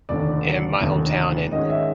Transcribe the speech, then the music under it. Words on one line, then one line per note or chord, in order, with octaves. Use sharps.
in my hometown, and
F1 D#2 D3 D5
F1 D#2 D3
G#2 D#3 G#3 C#4 D#5
E5